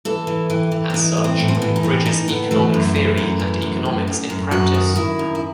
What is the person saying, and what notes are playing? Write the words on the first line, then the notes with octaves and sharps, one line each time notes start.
As such, it bridges economic theory and economics in practice.
E3 A4
E3
E3 G4
E3
C4
E3 D#4
A2
C4
A2
C4
B3
E3
D#4
A2 C4
A2 D#4
A2 B3
E3 A3
F#2
E3
F#2
E3
F#2
F#2
F#2
F#2
F#2 F#4
D#3
D#3 E4
F#2
E4